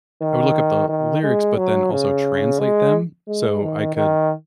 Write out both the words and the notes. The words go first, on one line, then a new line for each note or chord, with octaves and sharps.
I would look up the lyrics, but then also translate them, so I could
D#3
D#3
G#3
F#3
C#3
G#3
G#3
D#3
D#3